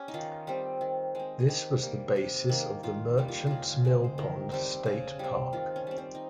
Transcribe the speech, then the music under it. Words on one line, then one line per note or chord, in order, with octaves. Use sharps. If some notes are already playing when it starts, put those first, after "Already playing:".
This was the basis of the Merchants Millpond State Park.
Already playing: C#4 G4
D#4
D#3 F4
G3 C4
D#3
G#3 C4
G#4
D#3 G4
G3 A#3
C3
D#3 A#3
D#3 F4
G3 A#3
F4
D#4
C#3 F4
G#3 C4
C5
D#3 A#4
G3 C4
C#3
G3 C4
D#3 F4
C#4
G3 C4
C4
D#4